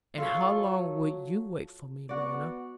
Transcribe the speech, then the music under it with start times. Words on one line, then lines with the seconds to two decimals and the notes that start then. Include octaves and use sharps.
And how long would you wait for me, Lorna?'
0.18 F#3 F4 A4 C#5
2.09 B3 F#4 D5